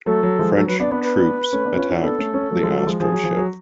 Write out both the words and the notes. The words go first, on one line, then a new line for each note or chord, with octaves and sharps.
French troops attack the astroship.
F#3 A3 A4
F#3
F3 G#3
F#3 A4
F#3 B4
B3 D4 D5
B3 D4 B4
B4
A3 C#4
B3 D4
C#4 F4
C#4 F4
B3 D4 A4
A3 C#4
A3 C#4
F#3 A3
F3 G#3
F#3
F3 G#3
F3 G#4
F#3
F3
F#3